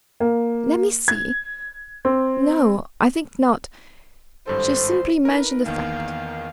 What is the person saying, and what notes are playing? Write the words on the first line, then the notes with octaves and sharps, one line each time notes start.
"Let me see--no--I think not--she simply mentioned the fact."
A#3
G#6
C4
G#1 G2 A4 C5
D#4 A#4 B4
E2 D#3 A#3 F5